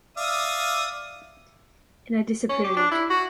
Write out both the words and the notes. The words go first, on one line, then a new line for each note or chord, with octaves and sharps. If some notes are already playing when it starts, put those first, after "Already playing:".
And I disapproved.
D5 E5 F5 D#6
C#4
G4
D4
E4
F#4